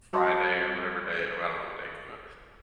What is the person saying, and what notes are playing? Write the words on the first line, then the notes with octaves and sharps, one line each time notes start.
Friday or whatever day I don't know what day it came out.
G3 F#4 D#5 A5 B5 C6